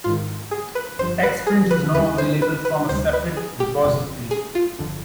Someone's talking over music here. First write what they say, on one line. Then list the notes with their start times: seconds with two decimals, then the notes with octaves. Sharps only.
Xprint is now available from a separate repository.
0.04 G#1 G#2 D#3 F4
0.51 G#4
0.75 B4
0.99 G1 G2 F3 C5
1.23 B4
1.47 G#4
1.71 B4
1.94 D#2 D3 G3 B4
2.18 C5
2.42 B4
2.65 B4
2.89 D2 C3 G3 C5
3.13 B4
3.37 G#4
3.60 G4
3.84 G1 F2 C3
4.31 G#4
4.55 F4
4.79 G1 F2 D3